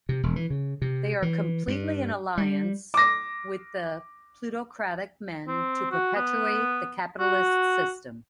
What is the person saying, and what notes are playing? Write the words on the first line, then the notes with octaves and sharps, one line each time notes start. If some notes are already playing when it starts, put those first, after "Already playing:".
They are completely in alliance with the plutocratic men to perpetuate the capitalist system.
C3
E1
E3
C#3
C3
E3
G2
G3
D6 A#6
C4
F#4
B3
F#4